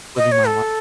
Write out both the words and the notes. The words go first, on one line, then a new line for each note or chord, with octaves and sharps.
living my li"
D#5
C#5
A4